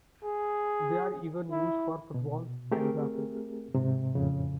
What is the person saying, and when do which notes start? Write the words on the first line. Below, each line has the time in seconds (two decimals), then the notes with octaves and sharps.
They are even used for footballs and glasses.
0.24 G#4
1.51 E4
2.14 B2
2.72 A3 C4 G4 G#4 A#4
3.75 G#2 C3
4.15 F2 A2 C#3